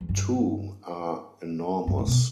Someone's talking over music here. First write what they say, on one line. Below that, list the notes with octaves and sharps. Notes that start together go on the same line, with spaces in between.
Two are enormous.
E2
G2
G2
A2
B2